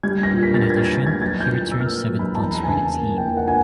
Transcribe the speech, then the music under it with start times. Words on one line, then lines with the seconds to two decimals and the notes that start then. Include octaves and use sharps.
In addition, he returned seven punts for the team.
0.03 G3 G#6
0.23 A#6
0.33 A#2
0.43 B6
0.54 A6
0.62 A#3 A#6
0.70 G#6
0.77 A6
0.86 A#6
0.92 A#3 A6
1.06 G#6
1.21 F#3 A6
1.41 G6
1.51 A#2
1.72 E6
1.80 A#3 F6
2.09 F#3
2.19 B5
2.35 A5
2.39 E2 A#5
2.63 G#5
2.68 C#3 A5
2.98 A#3
3.18 G5
3.27 A#3
3.37 F#5
3.48 G#5